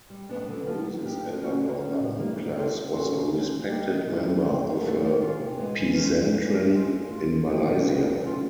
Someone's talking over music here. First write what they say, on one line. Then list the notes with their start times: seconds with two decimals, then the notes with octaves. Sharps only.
Amrozis' elder brother Muklas was a respected member of a "pesantren" in Malaysia.
0.10 G3
0.29 B3 D4
0.48 D3
0.66 F3 A#3
0.85 F#3
1.04 A#3 D4 G4
1.23 F3
1.42 A#3 C#4 F#4
1.60 D3
1.80 F3 A3 C#4
1.99 A2
2.17 E3 G3 A#3
2.36 A3
2.55 D4 F4 A4
2.74 A3
2.93 C#4 F#4 A4 C5
3.12 C#3
3.31 F3 G#3 C#4
3.50 D3
3.68 G3 A#3 D#4 G4
3.88 D#3
4.06 G3 B3 E4 G#4
4.25 A3
4.44 C4 E4 G#4 C5
4.63 F#3
4.82 A3 D4 F#4 A4
5.01 A#3
5.20 D4 F4 G#4
5.39 C3
5.57 E3 G#3 B3
5.76 E3
5.95 G#3 C#4 F4 A#4
6.14 C3
6.33 E3 A3 D4
6.52 F3
6.71 G#3 C#4 F4
6.90 A3
7.08 D4 F4
7.28 D3
7.47 F3 G#3 C4 E4
7.66 B2
7.85 G3 B3 D4 F#4
8.03 F#3
8.22 A3 C#4 F4